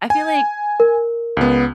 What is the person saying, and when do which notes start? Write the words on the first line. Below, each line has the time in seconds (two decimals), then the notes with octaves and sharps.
I feel like
0.10 G#5
0.80 A#4
1.37 C#2 B3